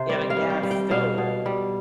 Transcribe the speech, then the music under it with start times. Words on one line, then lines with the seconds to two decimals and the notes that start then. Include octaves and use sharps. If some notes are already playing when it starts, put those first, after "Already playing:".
and a gas stove,
Already playing: C3 G4 C5
0.09 G3 D5
0.30 F5
0.37 G3
0.50 G5
0.63 G3
0.71 G5
0.91 B2 F5
1.18 B2
1.46 G3